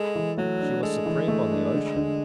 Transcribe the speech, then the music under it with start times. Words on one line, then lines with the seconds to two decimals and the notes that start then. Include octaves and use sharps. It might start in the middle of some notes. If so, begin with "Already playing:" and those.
She was supreme on the ocean.
Already playing: G#3 A4
0.15 E3
0.38 F#3 A3
0.60 D4
0.83 G#3 A4
1.06 E3
1.28 A3
1.51 D4
1.74 D3
1.96 D3